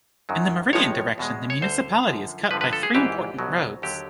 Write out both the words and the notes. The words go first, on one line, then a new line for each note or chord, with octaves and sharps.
In the meridian direction the municipality is cut by three important roads.
F#2 D#3 F#3
A1 A2 F3 G#3 C#5
E2 B2 G#3
C#5
D2 D3 G3 C5
F#2 D3 F3
G2 D3 F3 G#3 B4
B4
A4
G#4
A#1 G#2 E3 G4
C2 B2 F#3
D#2 D3 F#3 G4